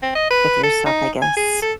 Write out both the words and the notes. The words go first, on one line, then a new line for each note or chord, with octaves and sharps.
with yourself, I guess.
C4
D#5
B4
A4
D#4
G#5
G#4
A4